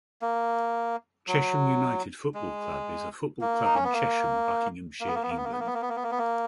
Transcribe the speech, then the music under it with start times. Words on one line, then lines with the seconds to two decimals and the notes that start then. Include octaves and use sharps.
Chesham United Football Club is a football club in Chesham, Buckinghamshire, England.
0.22 A#3
1.28 F#3
2.35 G#3
3.41 A#3
3.65 D#4
3.75 C#4
3.84 B3
3.93 A#3
5.01 A#3
5.08 B3
5.15 A#3
5.23 B3
5.30 A#3
5.37 B3
5.45 A#3
5.52 B3
5.60 A#3
5.67 B3
5.74 A#3
5.82 B3
5.89 A#3
5.96 B3
6.03 A#3
6.11 B3
6.18 A#3